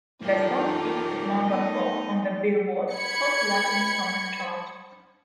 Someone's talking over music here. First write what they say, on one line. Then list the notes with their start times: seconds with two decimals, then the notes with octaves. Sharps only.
The song peaked at number four on the "Billboard" Hot Latin Songs chart.
0.22 F#2 D#3 E3 F4 G4 A4 A#4
1.44 A3 B3 D#4 D#5
2.92 B5 G#6 C#7